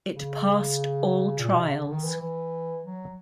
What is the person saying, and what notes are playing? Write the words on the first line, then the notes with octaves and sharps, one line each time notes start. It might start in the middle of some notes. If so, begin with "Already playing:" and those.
It passed all trials.
C#3
A#2
B2
C3
C#3
D3
D#3
E3
E3
F#3